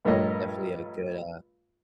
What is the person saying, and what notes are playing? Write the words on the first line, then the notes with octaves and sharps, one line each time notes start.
definitely had a good, uh
A#1 G2 A3 A#4 C#5 D#5